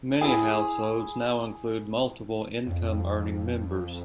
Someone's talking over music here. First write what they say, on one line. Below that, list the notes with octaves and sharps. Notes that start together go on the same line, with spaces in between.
Many households now include multiple income-earning members.
E4 G#4
F2